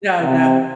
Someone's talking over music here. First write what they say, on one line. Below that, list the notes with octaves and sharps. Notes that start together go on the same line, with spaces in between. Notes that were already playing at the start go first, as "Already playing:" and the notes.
No, no.
C3